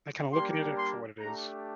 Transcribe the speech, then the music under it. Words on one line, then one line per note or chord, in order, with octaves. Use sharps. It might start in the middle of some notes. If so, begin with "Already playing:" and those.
I kinda looking at it for what it is.
G3 A#3 D4 G4 C6
C6
A3 D4 G4 A#5